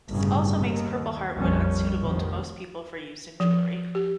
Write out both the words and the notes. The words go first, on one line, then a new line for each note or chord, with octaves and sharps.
This also makes purpleheart wood unsuitable to most people for use in jewelry.
G1 A2 C#3
D#2
A#1 F2 G3 C#4
F1 D#3 F3
F3
G4